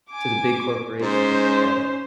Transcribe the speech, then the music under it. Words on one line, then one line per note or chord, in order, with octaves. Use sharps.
to the big corporations, but
G#5 D6
G#2 C#4 C5